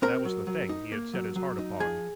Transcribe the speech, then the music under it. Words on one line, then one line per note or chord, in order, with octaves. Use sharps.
That was the thing he had set his heart upon.
C4 A#4 A#5
F#3
F#3
D#4
A#3
F#3
F#3
D#4
F3 G#4 G#5